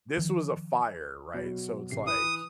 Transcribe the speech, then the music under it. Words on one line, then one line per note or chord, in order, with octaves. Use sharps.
This was a fire, right? So it's like,
D#3 F3
B2 F#3
A1 C3 C7
E3 B4 D#6